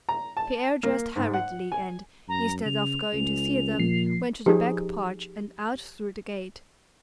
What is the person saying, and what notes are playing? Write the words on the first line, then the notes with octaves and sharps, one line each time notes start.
Pierre dressed hurriedly and, instead of going to see them, went to the back porch and out through the gate.
A#5
A5
A#3
G#2
F#5
G#5
F#2 A#5
C#3 F7
C#2 C#4
A#2 F3 C7
F3 D#4 G4 G#4